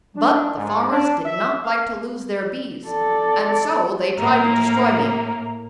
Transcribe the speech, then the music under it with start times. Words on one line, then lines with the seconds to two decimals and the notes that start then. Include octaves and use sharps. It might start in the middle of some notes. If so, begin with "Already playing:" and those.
But the farmers did not like to lose their bees and so they tried to destroy me.
0.17 D4
0.57 G#2
0.91 D4
1.25 E5
1.64 F5
2.88 A4 D5
4.18 A2 A#3 A#5